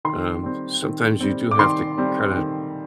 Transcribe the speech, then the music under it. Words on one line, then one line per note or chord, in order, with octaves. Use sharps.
um, sometimes you do have to kinda
D#3 C6
G3 C4
D#3
G3 C4
D6
D#3 C6
G3 C4
D#3